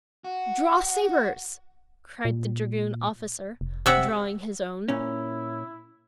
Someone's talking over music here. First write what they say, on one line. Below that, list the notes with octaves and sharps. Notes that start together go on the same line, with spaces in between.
"Draw sabers!" cried the dragoon officer, drawing his own.
F#4
A#2
F1
C3 E5 F#5
A#2 C#4 E4